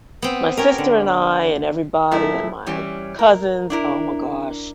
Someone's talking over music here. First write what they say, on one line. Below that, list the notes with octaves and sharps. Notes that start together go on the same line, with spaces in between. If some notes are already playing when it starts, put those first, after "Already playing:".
my sister and I, and everybody, and my cousins oh my gosh,
B3 C4
C#4 G4 A#4
D3
F#2 A#2 A3 E4
E3 G3 C#4
A#4
D4 E4 A#4